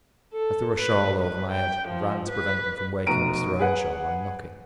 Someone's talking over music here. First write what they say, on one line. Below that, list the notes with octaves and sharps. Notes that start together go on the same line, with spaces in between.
I threw a shawl over my head and ran to prevent them from waking Mr. Earnshaw by knocking.
A4
B4
B4
G5
F3
B4
F1 B2 A#5 D7 D#7
G#4 B4 F#5